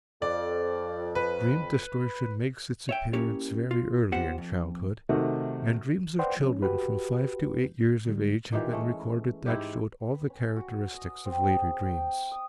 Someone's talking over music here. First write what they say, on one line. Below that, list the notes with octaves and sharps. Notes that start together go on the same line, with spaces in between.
Dream distortion makes its appearance very early in childhood, and dreams of children from five to eight years of age have been recorded that showed all the characteristics of later dreams.
F2 D5
B4
C#5 E5 G5
A#3 C#4 E4 G4 C#5
F4
B3 F4 G4 C5 F#5
F2
C3 D#3 A3 D#4 F#4
B4 C5 D5 F#5 G5 C6
F3 C#4
F#4 G4 B4
D3 G3
A#2 D#3 E3 G4
G#3 A3 C#4
G#2 E4 G4
B4
C#4
F#4
D#5
C4
G#4
G5
D#6